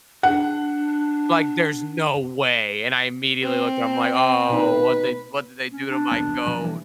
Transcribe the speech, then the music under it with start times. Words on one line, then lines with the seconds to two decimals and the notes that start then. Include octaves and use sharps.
Like, there's no way, and I immediately looked at him, I'm like, "Oh, what'd they what did they do to my goat?"
0.23 D4 F#5
3.43 C4
4.50 B2 D#4 B4
5.72 C#4
5.90 D4
6.12 E1 C2 B3
6.46 B2 F3 F#3
6.64 E3 G3 A#3